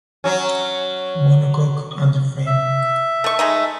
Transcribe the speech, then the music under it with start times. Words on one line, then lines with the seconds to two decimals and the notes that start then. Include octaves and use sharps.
Monocoque underframe.
0.24 F#3 C#4
2.46 E5
3.24 A3 C#6
3.39 G#3 A3 D#4